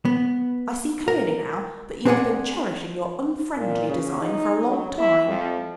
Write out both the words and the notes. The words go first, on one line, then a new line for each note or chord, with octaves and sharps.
I see clearly now that you have been cherishing your unfriendly design for a long time.
B3
A#4
C4 D4 G#4 C5 F#5 G#5
A#2
C#3
D#4
F#3
E4
F2